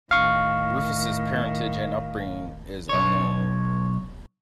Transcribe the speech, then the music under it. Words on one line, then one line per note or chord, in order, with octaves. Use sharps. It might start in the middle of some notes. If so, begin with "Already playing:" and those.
Rufus' parentage and upbringing is unknown.
A2 D#3 F5 C#6
B1 C#5